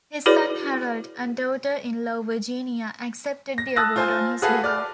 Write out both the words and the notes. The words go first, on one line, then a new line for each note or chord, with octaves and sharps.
His son Harold and daughter-in-law Virginia accepted the award on his behalf.
E4 F#4 G#4 B4 C#5 D5
A#6
A5 D#6 E6 F#6 A6 A#6
F4 C5 G#5
F#4 G#4 A4 B4 F5 A5
D5 F6